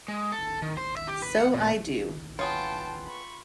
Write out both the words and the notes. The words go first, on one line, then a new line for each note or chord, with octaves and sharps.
So I do.
G#3
A4
D#3
C5
E5
G4
B4
F#5
A#2
B3 F4 G#4 C#5 G5 A5
B5 C#6